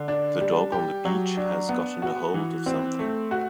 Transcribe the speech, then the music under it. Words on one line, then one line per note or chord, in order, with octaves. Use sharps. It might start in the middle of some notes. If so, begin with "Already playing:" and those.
The dog on the beach has gotten a hold of something.
Already playing: D3
D4
G3
G4
F#3
D4
B3
F#4
E3
C4
A3
F#4